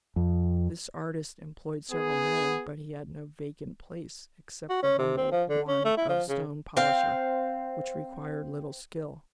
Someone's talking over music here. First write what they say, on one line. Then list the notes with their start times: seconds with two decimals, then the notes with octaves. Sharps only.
This artist employed several men, but he had no vacant place except the humble one of stone polisher, which required little skill.
0.16 F2
1.91 B3 G#4
4.70 F#4
4.83 C#4
4.99 C3
5.17 C4
5.32 F3
5.49 D3
5.68 C#4
5.85 A3
5.98 E4
6.09 F3
6.29 C#3
6.77 C4 F5